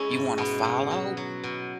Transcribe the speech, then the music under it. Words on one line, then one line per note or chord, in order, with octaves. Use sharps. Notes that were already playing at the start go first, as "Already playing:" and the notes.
you wanna follow
Already playing: G#3 C#4 E4
G#2
B2 B3
B2
F#3
F#3
B2